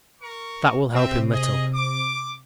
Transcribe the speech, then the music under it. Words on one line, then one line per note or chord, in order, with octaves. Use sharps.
That will help him little.
A#4 C#6
C3 C4 G4 E5
G#4 D#5
D6